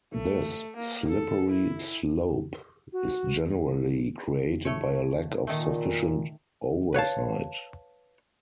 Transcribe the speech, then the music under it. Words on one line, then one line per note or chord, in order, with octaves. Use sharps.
This slippery slope is generally created by a lack of sufficient oversight.
A3
A#3
A4
E4
F#4
A3 C#5
A#2 D#3 A3
B4 C#5 F5 A5